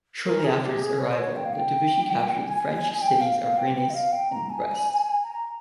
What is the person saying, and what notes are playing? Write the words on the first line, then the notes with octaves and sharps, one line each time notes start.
Shortly after its arrival, the division captured the French cities of Rennes and Brest.
A#4
G#4
G4
G#4
C#5
C5
C#5
G5
F5
G5
G#5
G#5
G#5
G5
F5
F5
G5
G5
D#5
F5
G5
A#5
G#5
A#5